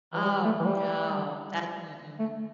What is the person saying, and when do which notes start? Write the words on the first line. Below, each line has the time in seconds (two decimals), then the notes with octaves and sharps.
Oh, no. That mm-mm.
0.14 E3
0.22 G3
0.45 A3
0.60 E3
0.65 G3
2.19 A3